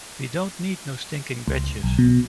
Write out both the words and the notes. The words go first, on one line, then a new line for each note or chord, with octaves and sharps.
We don't need no stinkin' badges!
C#2
B1
B2